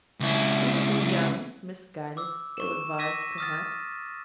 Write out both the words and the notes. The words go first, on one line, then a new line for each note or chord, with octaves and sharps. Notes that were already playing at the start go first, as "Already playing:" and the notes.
She had been young, misguided, ill-advised perhaps.
C#2 E4
D6 E6
C#6 E7
D6 E6 A#6 B6 D#7
D#6 F6 A6